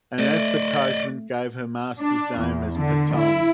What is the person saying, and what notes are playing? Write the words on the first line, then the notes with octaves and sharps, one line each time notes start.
An advertisement gave her masters name as Patton.
A3 D5 D#5
D4
E2
D3
E4